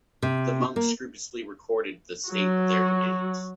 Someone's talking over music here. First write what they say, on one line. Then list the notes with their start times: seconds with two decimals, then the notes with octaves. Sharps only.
The monks scrupulously recorded the state of their domains.
0.22 C3
0.76 A#3
2.29 F#3 F#4